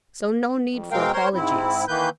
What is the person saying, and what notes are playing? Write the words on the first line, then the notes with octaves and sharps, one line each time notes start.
"So no need for apologies."
F2
B2 G#3 C4 A#4 F5 G5
A#4 C5 C#5 C6
G#2 C4 E4
D#3 E3 A#3 B4 G6